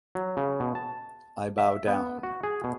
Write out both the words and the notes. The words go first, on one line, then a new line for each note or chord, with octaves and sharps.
I bow down"".
F#3
C#3
B2
A5
E5
B3
F#4
G#4
B2